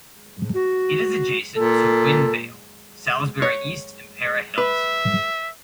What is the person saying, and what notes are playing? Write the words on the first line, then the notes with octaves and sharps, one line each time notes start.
It is adjacent to Wynn Vale, Salisbury East and Para Hills.
F#4
A#2 A4
C#5
B4 E5